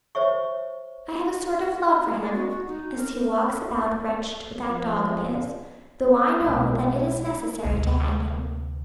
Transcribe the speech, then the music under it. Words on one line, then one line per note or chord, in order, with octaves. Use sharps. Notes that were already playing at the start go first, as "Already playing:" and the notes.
I have a sort of love for him, as he walks about wretched with that dog of his, though I know that it is necessary to hang him.
C5 C#5 E5 C#6
G#4
D5
F#4
F#4
D#4
A#4
A#3
F3
B1 G#3
D2 C3